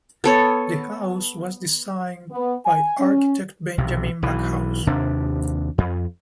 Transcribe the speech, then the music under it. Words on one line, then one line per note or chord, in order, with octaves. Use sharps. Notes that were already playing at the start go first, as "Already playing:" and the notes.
The house was designed by architect Benjamin Backhouse.
B3 A4 C#5
B3
G#5
C#4
B1 C3
B1 E3
D#2 C3 D4
F2